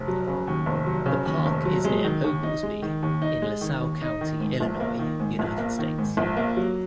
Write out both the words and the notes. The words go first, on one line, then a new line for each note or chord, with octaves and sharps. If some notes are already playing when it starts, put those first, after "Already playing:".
The park is near Oglesby, in LaSalle County, Illinois, United States.
Already playing: F1
F#3
C#3
D#2
F1
F#3
C#3
D#2
F1
F#3
G#3
D#3
D#2
D#4
G#3
D#3
D#2
D#4
G#3
D#3
D#2
D#4
D#3
G#2
A#1
A#3
D#3
G#2
A#1
A#3
D#3
G#2
A#1
A#3
F#3